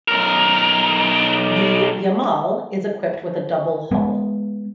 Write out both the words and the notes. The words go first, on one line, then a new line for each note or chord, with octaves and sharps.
The "Yamal" is equipped with a double hull.
B1 A#4
G#3 B3